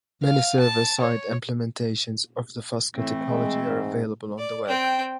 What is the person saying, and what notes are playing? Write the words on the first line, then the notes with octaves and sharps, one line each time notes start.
Many server-side implementations of the Fusker technology are available on the web.
F5
A5
C#5
A2 E3 A3 C4
G#3
G#2
D5
C4 G5